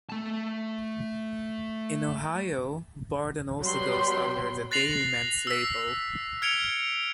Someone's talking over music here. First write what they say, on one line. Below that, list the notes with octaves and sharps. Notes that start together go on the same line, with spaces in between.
In Ohio, Borden also goes under the Dairymens label.
A3 A5
F#3 G3 B3 G5 B5 C6
F#6 A6 A#6 C7 F7 F#7
E6 B6
F6 G#6 C#7 D7 F7 G7